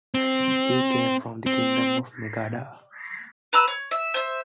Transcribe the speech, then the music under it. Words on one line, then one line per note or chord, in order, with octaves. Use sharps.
He came from the kingdom of Magadha.
C4
C4
B4 A#5 B5 E6
C#5
E5
C5 E5